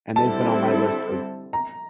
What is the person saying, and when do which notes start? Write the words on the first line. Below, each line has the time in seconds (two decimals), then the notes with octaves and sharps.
and they've been on my list for
0.16 D3 G3 C4 E4 A4 A5
1.53 A#5